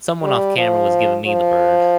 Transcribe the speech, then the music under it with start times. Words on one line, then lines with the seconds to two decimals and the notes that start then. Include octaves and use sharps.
someone off camera was giving me the bird,
0.23 G3
0.57 F3
1.27 F3